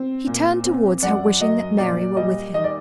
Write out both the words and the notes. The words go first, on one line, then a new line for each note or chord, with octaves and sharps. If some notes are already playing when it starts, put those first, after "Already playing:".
He turned towards her, wishing that Mary were with him.
Already playing: C4
A#2
C4
F#2 D5 F#5
F#3 D#5
A#2 D5
G3 D#5
D#3 D#5
D5